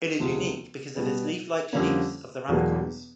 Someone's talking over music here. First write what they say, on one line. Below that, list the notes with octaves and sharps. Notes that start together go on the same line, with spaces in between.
It is unique because of its leaflike sheaths of the ramicauls.
E1 D2 C3 F3 G#3
B2 G3 B3
F2 D3 G3 A#3 C#4
E1 E2 B2 F#3 A#3